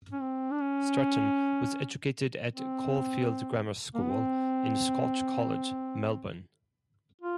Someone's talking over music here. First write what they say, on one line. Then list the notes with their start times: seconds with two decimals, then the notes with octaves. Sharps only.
Stretton was educated at Caulfield Grammar School and Scotch College, Melbourne.
0.12 C#4
0.21 C4
0.51 D4
0.60 C#4
2.55 C4
3.94 A#3
4.03 B3
4.10 C4
7.21 F4